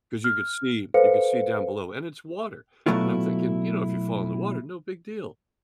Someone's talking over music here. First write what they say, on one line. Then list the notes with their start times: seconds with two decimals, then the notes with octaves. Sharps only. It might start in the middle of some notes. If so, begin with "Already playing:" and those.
'Cause you could see you could see down below, and it's water, and I'm thinking, "You know, if you fall in the water, no big deal,
0.24 F6
0.94 A4 B4 C5 F5 C#7
2.86 B2 E3 F#3 A3 E4 F4